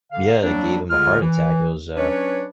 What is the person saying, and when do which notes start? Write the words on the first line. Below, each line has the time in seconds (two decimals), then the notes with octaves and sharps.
yeah, it gave him a heart attack, it was, uh
0.11 D3 F5
0.42 F2 F#3 G3 A#3 C4 D4
0.90 D2 D3 G#3 F4 G#4 F6
1.22 E3
1.96 F#3 C#4 D4 B4 C#5